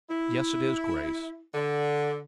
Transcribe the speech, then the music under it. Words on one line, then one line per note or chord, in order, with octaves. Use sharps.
Yes, it is, Grace.
E4
D3